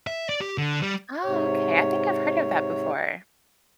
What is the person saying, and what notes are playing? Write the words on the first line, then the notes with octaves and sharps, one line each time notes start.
Oh, okay. I think I've heard of that before.
E5
D5
G4
D3
G3
G#2 C3 C#5